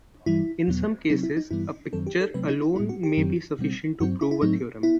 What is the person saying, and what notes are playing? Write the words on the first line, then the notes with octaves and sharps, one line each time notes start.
In some cases, a picture alone may be sufficient to prove a theorem.
G2 E3 G3 E4
E2 B2 F#3 B3
C3 F#3 C4 D#4
E4
D#4
G2 E3 G3 B3 E4
F#2 D#3 F#3 C4 A4
G4
A4
C3 F#3 A3 C4 B4
D#4
D#4
A2 G3 B3 E4
F#4
G4
F#2 D#3 F#3 C4
B2 G3 C4
G2 F#3 C4 F#4
E4
E4
A2 F#3 A3 C4 D#4
B3 E4